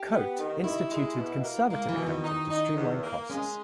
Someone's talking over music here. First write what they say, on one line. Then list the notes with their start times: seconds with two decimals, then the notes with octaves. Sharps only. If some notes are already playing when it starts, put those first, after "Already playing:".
Cote instituted conservative accounting to streamline costs.
Already playing: G4
0.11 B3
0.38 D#3
0.64 D#3 E4
0.91 G#3
1.17 B2
1.44 A#3
1.70 G#3 A#3
1.89 E3
1.97 B2
2.06 D#3
2.24 D#4
2.51 D#4
2.77 E2
3.03 A#3
3.30 G#3 C#4